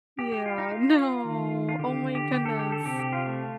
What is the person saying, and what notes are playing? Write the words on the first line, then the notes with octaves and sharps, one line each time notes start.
Yeah, no, oh my goodness.
G4
G4
F4
D#4
F4
D#3
F4
D3 G4
G4
D3 G4
A4
G4
A4
C3 G4
G4
F4
A3